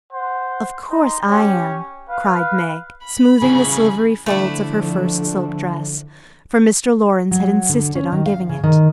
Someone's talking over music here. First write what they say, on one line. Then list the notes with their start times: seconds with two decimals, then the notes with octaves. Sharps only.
"Of course I am!" cried Meg, smoothing the silvery folds of her first silk dress, for Mr. Laurence had insisted on giving it.
0.13 C5 F#5
0.90 D#4 C6
1.28 C#4 G4
2.09 B4 F5
3.03 B5
3.42 C#3 E3 G#4
4.26 D3 F3 A3 D4 E4
7.31 F#3
7.69 D3
7.95 C#4
8.12 D#3
8.26 F5
8.49 C#3
8.64 D#3